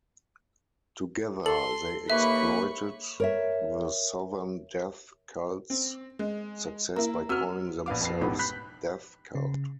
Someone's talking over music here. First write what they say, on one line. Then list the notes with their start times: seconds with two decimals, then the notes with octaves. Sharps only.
Together, they exploited the Southern Death Cult's success by calling themselves Death Cult.
1.46 A4 C6 F#7
2.10 D#2 A#3 B4 E5 B5 C#6
3.20 A#4 C#5 E5
5.70 C4
6.19 G#3
6.96 A#3 E4 A#5
7.29 C4 F#4 E6 F6
7.86 A#1 B3 F5 D6
8.01 F2 B3 G5 B5 C7
8.21 E1 A1 G#2 B3 G4 B5
8.39 B5 F#6 G6 B6
9.35 C#3